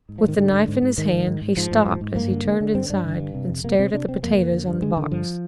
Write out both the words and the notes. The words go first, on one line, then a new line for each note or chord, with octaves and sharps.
With the knife in his hand he stopped as he turned inside and stared at the potatoes on the box.
G#2
F3
G#2 D#3
G#2 D3
G#2
G#2
G#2
G#2 D#3
G#2
G#2
G#2
G#2 F3
G#2
G#2
G#2
G2 A#3
D3
D3
D3
G2 C4
G2 D4
D3
G2
C3
F2
C3 A#3
C3 C4
C3 D4
C3 C4
F2 A#3
F2
D3
G2
D3 G#3
D3 D#3
G2 F3